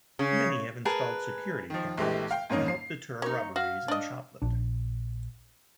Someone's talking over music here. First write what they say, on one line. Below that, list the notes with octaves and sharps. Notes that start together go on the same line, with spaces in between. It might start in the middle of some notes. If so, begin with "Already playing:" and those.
Many have installed security cameras to help deter robberies and shoplifting.
C#3
G#4 A#4 B4 A5
D#3 F3
A#1 E3 G#3 A3 G4
F5 G5
F2 G#2 A#3 C#4 D#4
C7
A#3 D#4 C#5
F#4 F5
D4 D#5
A#1 D4